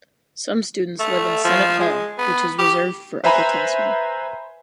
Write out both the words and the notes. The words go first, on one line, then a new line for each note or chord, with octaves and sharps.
Some students live in Senat Hall, which is reserved for upperclassmen.
A3
F3
G#3
B3
G4
B4 C5 E5 G#5 A#5 B5